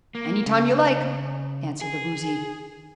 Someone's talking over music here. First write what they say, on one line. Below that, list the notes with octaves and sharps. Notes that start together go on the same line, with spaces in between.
"Any time you like," answered the Woozy.
A#3
C#3
G#4